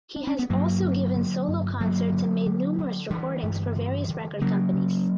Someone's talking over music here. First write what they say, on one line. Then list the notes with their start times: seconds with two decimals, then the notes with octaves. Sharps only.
He has also given solo concerts and made numerous recordings for various record companies.
0.16 D4
0.27 C#4
0.39 B3
0.50 G2 F#3 A#3
0.83 D3
1.15 D3
1.48 G2
1.80 D3 F#3 A#3
2.13 D3
2.46 D3
2.78 D3
3.10 D3 E3 G3
3.43 G2
3.76 D3
4.09 D3
4.41 C#3 F#3 A#3
4.73 C#3